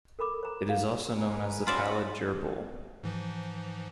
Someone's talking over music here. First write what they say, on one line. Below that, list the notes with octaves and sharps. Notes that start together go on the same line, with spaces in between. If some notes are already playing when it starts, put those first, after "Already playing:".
It is also known as the pallid gerbil.
A4 A#4 B5 D6
C5 A#5
F5
G#4 A#4 B4
C#4 F4 F#4 D5 E5 B5
G#2 E3 F3